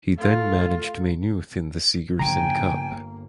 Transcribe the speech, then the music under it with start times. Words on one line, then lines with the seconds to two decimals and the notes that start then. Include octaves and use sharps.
He then managed Maynooth in the Sigerson Cup.
0.16 A3 F4
2.19 G1 C#3 F3 A#3 D4 G5 G#5 A#5